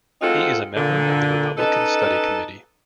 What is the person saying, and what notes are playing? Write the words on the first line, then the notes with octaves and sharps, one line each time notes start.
He is a member of the Republican Study Committee.
G#3 C4 D#4 F4 F#4 A4
A#2 D3
C#4 D#4 A4 B4 D#5 A5